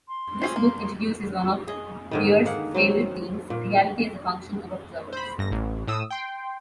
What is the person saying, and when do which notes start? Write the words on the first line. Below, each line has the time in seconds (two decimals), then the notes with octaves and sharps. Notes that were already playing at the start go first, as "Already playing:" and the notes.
This book introduces one of Bear's favorite themes: reality as a function of observers.
0.08 C6
0.42 C4 C#4 G#4
0.56 A#3
1.68 G#4 D#5
2.11 G#2 D3 D#3
2.45 A#3 G#4 F#5
2.74 F#3 C4 C5
3.50 A#2
5.13 C5 B5
5.38 G1 A#6
5.52 A1
5.88 A2 D#6 E6
6.10 G5 C6